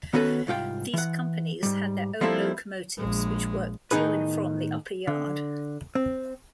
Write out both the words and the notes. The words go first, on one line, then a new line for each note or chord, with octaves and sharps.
These companies had their own locomotives which worked to and from the upper yard.
D#3 B3 C#4 F#4 A4 B4
C2 G#2 F4 G5
E3 F#5
G#2 G3
F3 G3 A#3 C4 E4 A4
A#1 G#3
A2 D#3 B3 D#4 G#4 B4
D3
C4